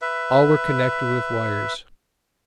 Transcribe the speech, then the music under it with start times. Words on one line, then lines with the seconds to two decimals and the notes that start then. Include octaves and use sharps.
All were connected with wires.
0.02 B4 E5